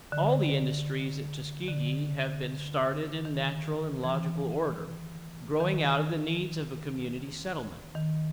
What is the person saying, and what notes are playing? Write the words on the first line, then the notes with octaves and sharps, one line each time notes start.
All the industries at Tuskegee have been started in natural and logical order, growing out of the needs of a community settlement.
D3
D3
D#3
E3
D#3
D#3